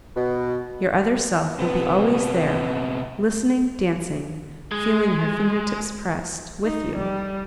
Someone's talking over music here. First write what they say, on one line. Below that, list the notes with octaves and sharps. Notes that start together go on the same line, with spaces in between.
Your other self will be always there--listening, dancing, feeling her finger-tips pressed--with you.
B2
C3 B3
G#3
D#4
G3